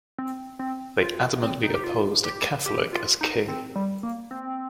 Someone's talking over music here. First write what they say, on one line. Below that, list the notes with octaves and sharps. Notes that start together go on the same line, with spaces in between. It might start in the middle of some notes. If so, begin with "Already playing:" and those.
They adamantly opposed a Catholic as king.
C4
C4
F4
C4
D#4
G4
F4
G4
G4
F4
D#4
C4
G3
A#3
C4